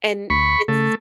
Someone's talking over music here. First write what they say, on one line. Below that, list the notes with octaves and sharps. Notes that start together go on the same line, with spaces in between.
And it's
D2 B5 C#6
C#3 A3